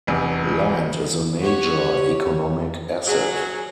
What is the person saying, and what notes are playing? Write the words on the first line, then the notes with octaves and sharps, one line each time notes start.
Land is a major economic asset.
F1 E2
F#4 G4 C#5
F#3 G#4